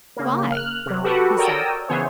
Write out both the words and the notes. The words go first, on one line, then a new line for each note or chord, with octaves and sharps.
'Why,' he said.
C#3 A#3
F6 F#6
C3 F#3
F#4 G4 A4 B4 F#5
A#4 C#5 D5 G5 D#6 E6
C#3 E3 B3 G#4 C5 C#5